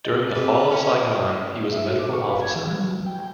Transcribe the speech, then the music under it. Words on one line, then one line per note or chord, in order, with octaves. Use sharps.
During the Fall of Saigon, he was a Medical Officer.
D#5
C4 F4 G#4 A4 B4
C#4 E4 G5
E5
F#4
D6
C#6
B4
G#6
E3
G3
F#3
G5
G5